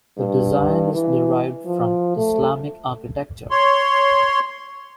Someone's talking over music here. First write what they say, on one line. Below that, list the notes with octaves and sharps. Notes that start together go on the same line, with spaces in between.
The design is derived from Islamic architecture.
G2
E3
F3
A3
C#5 C6